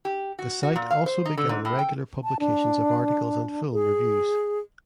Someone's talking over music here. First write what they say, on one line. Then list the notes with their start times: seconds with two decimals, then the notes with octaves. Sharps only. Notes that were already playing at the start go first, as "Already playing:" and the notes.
The site also began regular publications of articles and film reviews.
0.05 G4
0.39 F#4
0.63 F#4
0.76 A#2
0.91 F5
1.06 C5
1.25 D#4
1.37 D3
1.49 G#2
1.65 A2
1.79 G5
2.24 A5
2.40 D4
3.73 G#4